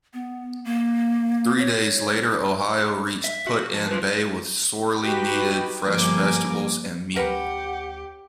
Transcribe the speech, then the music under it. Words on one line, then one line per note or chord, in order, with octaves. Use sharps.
Three days later "Ohio" reached Put-in Bay with sorely needed fresh vegetables and meat.
B3
A#3
C#5
E5
F#4
F3
F4 B4
D#4 F#4 G4 B4
G1 F3 G3 A#3 G#5 D6
D2 C#4 G4 A#4 B4 F#5